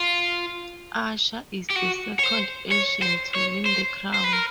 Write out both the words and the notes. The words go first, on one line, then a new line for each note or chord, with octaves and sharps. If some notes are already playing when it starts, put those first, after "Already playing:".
Asha is the second Asian to win the crown.
Already playing: F4
G4
F#4
C#5
C5
C#5
C5
C#5
C5
C5
B4
A#4